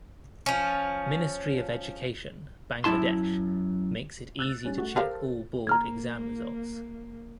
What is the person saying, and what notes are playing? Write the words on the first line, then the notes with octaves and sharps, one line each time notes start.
Ministry of Education, Bangladesh makes it easy to check all Board exam results.
F3 C#4
F#2 A3 E4 A5 C6
E6 F#6 A6
G3 C#4
A3 F#4
G4 A4 A#4 C5 F5
A#3 A#5 F6 G#6